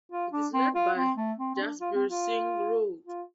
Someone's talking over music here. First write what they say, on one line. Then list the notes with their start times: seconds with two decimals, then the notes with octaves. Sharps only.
It is led by Jasbir Singh Rode.
0.12 F4
0.32 D4
0.53 C4
0.75 F4
0.96 C4
1.17 A3
1.38 C4
1.55 C4
1.59 D4
1.80 F4
1.95 C4
2.09 F4
3.07 F4